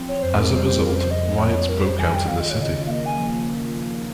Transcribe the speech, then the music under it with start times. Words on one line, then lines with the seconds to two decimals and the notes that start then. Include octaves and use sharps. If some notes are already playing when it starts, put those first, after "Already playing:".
As a result, riots broke out in the city.
Already playing: F3 C4
0.09 C#5
0.23 F2 C5
0.37 A#4
0.51 G3 C5
0.66 C5
0.81 C#3 A#4
0.96 C5
1.11 F2 D#5
1.40 F2 C#5
1.69 G3 A#4
1.83 C5
1.99 D#3 G#5
2.14 G5
2.28 F4 F5
2.40 D#5
2.51 C#5
2.57 C#3 D#5
2.86 A#3 D#5 F5
3.06 G#5
3.16 F3